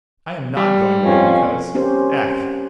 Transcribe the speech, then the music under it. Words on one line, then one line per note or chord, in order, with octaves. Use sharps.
I am not going away because ... ech!
G3
F2 C#4 F4
C4 C#4 G4 A#4 C5